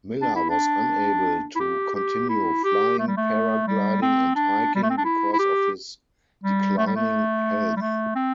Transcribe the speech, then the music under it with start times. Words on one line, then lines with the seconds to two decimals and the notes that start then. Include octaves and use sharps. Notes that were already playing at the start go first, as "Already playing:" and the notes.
Miller was unable to continue flying, paragliding and hiking because of his declining health.
0.22 D4
0.36 E4
0.50 D4
1.55 E4
1.60 G4
1.95 G4
2.29 E4
2.64 G4
2.99 A3
3.08 G3
3.17 A3
3.67 G3
4.02 C4
4.36 D4
4.75 G3
4.83 A3
4.90 C4
4.97 D4
5.05 E4
5.33 E4
5.39 G4
6.44 G3
6.78 A3
6.86 G3
6.96 A3
7.76 G3
7.81 A3
8.15 C4